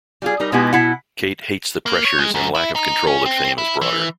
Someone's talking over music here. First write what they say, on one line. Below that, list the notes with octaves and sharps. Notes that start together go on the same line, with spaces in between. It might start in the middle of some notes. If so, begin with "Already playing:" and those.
Kate hates the pressures and lack of control that fame has brought her.
G3 F4 G#4
G3 D#4 A#4
B2 G#3 B3 D#4 E4 G4
B2 E4 F#5
A#3
C#5
G#3
F#2
E4
D#4
C#4
C4
E4
E3